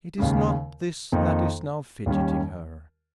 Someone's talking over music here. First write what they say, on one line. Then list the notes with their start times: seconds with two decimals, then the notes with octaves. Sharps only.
It is not this that is now fidgeting her.
0.18 D#2 C#3 G#3
1.12 F2 D#3 A#3 D#4
2.06 D#2 D#3 G3 C#4